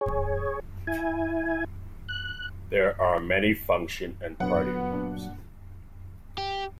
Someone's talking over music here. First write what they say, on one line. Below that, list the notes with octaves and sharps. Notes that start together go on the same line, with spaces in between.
There are many function and party rooms.
G#4 C#5
E4 G#5
F#6
A#1 D3 F#3 B3 F#5
G2 A#2 D4
G4